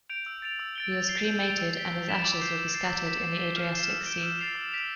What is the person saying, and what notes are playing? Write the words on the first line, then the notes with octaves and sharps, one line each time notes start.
He was cremated and his ashes will be scattered in the Adriatic Sea.
G6 D7 F7
E6
A6 D7 F7
E6
A6 D7 G7
A6
C7 G7
G6
D7 F7
E6
B6 D7 G7
G6
B6 E7 G7
D6
G6 C7
E6
A6 C7
G6
B6
E7
A6
E7 G7
F6
C7 E7
E6
G6 D7 G7
E6
A6 C7 F7
E6
B6 D7 F7